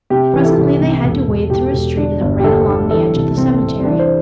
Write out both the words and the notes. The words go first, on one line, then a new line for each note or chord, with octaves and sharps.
Presently they had to wade through a stream that ran along the edge of the cemetery.
C3 G4
E3
A4
C2
C2
E1
E1
E1 G4
E1
D3 D4
G1
G4
D3 A4
D3
E3 A4
C2
C2 C4
C2
C4
E3 D4
C5